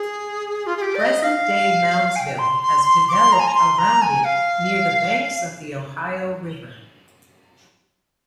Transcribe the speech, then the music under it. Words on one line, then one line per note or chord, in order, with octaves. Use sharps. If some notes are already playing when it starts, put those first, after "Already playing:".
Present-day Moundsville has developed around it near the banks of the Ohio River.
Already playing: G#4
F4
G#4
G4
D5
D#5
F5
G#5
G5
C6
C6
C6
D6
C6
A#5
G#5
A#5
C6
A#5
G#5
F5